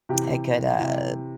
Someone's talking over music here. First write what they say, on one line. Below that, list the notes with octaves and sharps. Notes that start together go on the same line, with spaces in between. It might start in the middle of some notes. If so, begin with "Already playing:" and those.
a good, uh,
C3 E3 G4
C3 E3